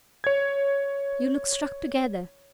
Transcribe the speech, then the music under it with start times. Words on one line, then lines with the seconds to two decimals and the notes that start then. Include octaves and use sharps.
You look struck together.
0.24 C#5 G#6